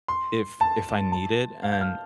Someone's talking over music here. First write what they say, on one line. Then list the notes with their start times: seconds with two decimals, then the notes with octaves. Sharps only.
if if I need it, and
0.08 C6
0.61 A5
1.12 A5
1.63 F5
1.72 G6
1.81 F6